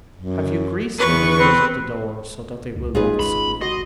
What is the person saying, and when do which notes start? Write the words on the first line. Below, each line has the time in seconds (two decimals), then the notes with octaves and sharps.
"Have you greased the hinges of the door so that they will not squeak?"
0.16 F#2
0.98 E2 B4 C#6
1.39 C4 B4
2.76 C2
2.95 G#1 G#3 C#4 D#4 F4 G#4 B4
3.19 G#1 B5
3.61 C2 F#4 D#5 C6